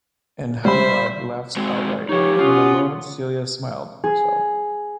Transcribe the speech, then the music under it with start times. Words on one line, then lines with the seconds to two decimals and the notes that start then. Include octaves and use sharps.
And Hanaud laughed outright, and in a moment Celia smiled herself.
0.65 G3 C5 E5 B5
1.57 G#3 C4 F#4
2.09 F3 D#4 G4 C#5
2.39 C#4 F4 F#4 F#5 D#6
4.04 G#4